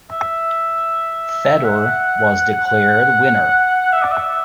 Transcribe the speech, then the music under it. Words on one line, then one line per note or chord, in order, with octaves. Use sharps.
Fedor was declared winner.
E5
F#5
E5
D5
E5